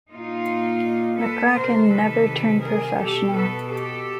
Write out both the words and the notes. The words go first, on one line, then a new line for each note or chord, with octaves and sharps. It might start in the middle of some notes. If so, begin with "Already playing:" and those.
McCracken never turned professional.
A#2 D#4 F4
A4 B4
C3 D#3 A#4 C5
A4 B4
G#4 A#4
B2 G4 A4
A4 B4
G4 A4